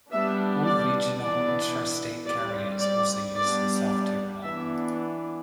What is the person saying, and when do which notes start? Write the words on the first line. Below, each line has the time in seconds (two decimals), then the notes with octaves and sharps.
All regional intrastate carriers also use the South Terminal.
0.11 G3 B3 D4 E5
0.64 D5
1.19 E3 B3 D4 D5
2.26 G3 C4 D5
2.80 D5
3.34 G3 B3 D4 D5
3.89 D5
4.42 E3 B3 D4 E5